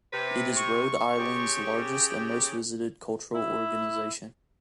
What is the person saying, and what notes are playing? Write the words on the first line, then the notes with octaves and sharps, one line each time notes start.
It is Rhode Island's largest and most-visited cultural organization.
C3 B4
C#6
C#3 G4
E4